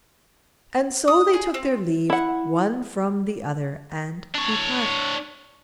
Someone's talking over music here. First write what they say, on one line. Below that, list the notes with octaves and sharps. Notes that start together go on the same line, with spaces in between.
And so they took their leave one from the other and departed.
D#6
G#4
C4
E4 F#5
D4 C#5